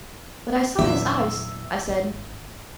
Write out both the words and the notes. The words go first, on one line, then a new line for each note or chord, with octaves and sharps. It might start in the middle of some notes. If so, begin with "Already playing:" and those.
"But I saw his eyes," I said.
E2 A#2 D3 F#3 E5
G#1